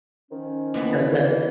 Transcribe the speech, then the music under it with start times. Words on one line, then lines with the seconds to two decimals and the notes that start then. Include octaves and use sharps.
So good.
0.32 D#3 F3 C#4
0.74 D#2 E3 B3